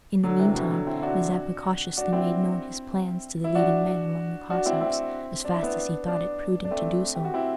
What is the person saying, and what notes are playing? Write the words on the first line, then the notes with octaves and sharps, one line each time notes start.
In the mean time, Mazeppa cautiously made known his plans to the leading men among the Cossacks as fast as he thought it prudent to do so.
D3 F#3
C3 E3
B2 D3
D3 F#3
C4 E4
E4
D4 F#4
D4 F#4
C4 E4
E4
D4 F#4
D4 F#4
C4 E4
C4 E4
D4
E4
B3 D4
B3 D4
D4
A3 C4
G4
F#4
C4 E4